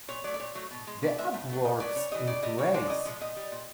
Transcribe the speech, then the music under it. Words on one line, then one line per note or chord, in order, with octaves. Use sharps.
The app works in two ways.
A#2 C#5
F#3 A3 D5
D5
A#2 C#5
F#3 A3
B2
G#3
B2 D5
G#3 E5
A2
F#3 A3
A2 D#5
F#3 A3 D5
C#3 C#5
E3 G3 D#5
C#3 D5
E3 G3 D#5
C#3 C#5
F3 G#3 D5
C#3 D#5
F3 G#3
A#2 D#5
G3
A#2